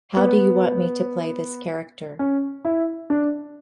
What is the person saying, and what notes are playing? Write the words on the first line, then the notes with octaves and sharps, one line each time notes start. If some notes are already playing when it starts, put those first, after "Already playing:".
How do you want me to play this character?
B3
C#4
E4
D4